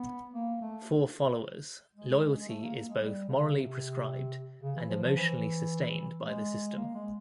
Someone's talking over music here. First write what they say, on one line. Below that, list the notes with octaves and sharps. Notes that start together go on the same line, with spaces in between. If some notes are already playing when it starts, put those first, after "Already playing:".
For followers, loyalty is both morally prescribed and emotionally sustained by the system.
Already playing: B3
A#3
A3
G#3
G#3
A3
A#3
A#3
G#3
G3
C#3
C3
C#3
E3
F3
F3
E3
G#3
A#3
G#3